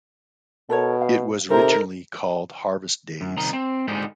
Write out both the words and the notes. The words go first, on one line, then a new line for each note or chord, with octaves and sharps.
It was originally called Harvest Days.
B2 A4 A#4 C#5
F5
C3 D#4 A4 A#4 C5
F#2
C2 D#3 D#5 A#5
C4
G#2 D3 G#3 D#4 G4